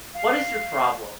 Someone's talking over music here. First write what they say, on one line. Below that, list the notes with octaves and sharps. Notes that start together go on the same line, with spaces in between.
"What is your problem?
F5